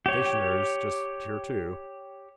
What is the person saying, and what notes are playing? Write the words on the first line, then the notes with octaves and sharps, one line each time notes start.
Stationer's just here too.
G4 C#5